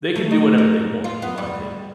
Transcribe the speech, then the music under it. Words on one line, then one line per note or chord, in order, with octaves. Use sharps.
They can do whatever they want, in my opinion,
A3
D#4
A#4
F4
B3
G3